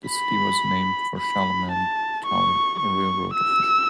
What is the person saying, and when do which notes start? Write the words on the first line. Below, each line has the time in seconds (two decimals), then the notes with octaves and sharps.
The city was named for Charlemagne Tower, a railroad official.
0.09 B5
1.18 B5
1.72 A5
2.26 C#6
2.80 C#6
3.35 E6